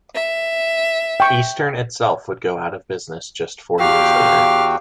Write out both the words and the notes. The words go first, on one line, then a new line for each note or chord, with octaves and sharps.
Eastern itself would go out of business just four years later.
E5
G5 C#6
E2 F#4 G4 F5 G5